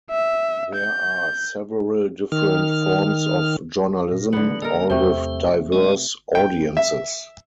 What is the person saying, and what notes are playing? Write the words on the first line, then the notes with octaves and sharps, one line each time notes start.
There are several different forms of journalism, all with diverse audiences.
E5
G6
D#3 F6
A#2
D3 F#3 B3
A#3 A4 A#4 D#5
E2 C3 A3 C5
G#3 D4 D#5
G5
E5